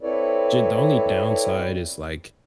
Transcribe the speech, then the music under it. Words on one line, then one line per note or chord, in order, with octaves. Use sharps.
ju The only downside is, like
C4 E4 A4 B4 C#5 D5